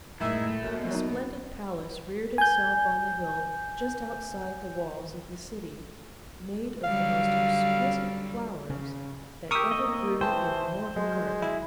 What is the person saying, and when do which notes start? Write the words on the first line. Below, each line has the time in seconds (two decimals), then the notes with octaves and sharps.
A splendid palace reared itself on the hill just outside the walls of the city, made of the most exquisite flowers that ever grew in mortal garden.
0.20 F#2 A2 D#3 G#3 E4
0.45 A3
0.62 F#2 A#3 C#4
0.76 B2
0.91 F#3 D#4
2.38 G#5 G6
6.84 D3 F#3 G3 F5
8.70 C#3
9.51 G4 A#4 C#6 D#6 E6
9.71 D#3 A#3 D#5
10.21 E3 C5 G5 A5
10.96 F#3 G#3
11.42 E4